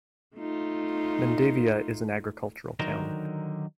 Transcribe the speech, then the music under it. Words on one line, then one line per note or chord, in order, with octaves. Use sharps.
Mendavia is an agricultural town.
A3 D#4 F4
D3 D#3 F#3 D#4 A#4 C5